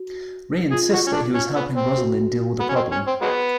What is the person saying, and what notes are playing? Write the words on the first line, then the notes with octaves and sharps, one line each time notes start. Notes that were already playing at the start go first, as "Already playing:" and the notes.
Ray insists that he was helping Rosalyn deal with a problem.
Already playing: F#4
F4 G#4
F#4
C#4
D4
C#4
B3
C4
F#4
B3
C#4
C4
C#4
C4
F#3 G#3 B3 B4